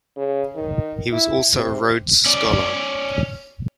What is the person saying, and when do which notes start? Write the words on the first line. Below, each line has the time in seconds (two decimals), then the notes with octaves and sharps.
He was also a Rhodes Scholar.
0.17 C#3
0.55 D#3
1.13 E4
1.55 C3
2.26 C#4 D5